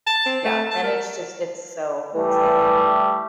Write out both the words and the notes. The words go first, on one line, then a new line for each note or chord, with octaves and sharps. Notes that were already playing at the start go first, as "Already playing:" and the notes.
Yeah, and it's just it's so silly.
A5
C4
A3
A5
A#4
E3 G3 A3 G4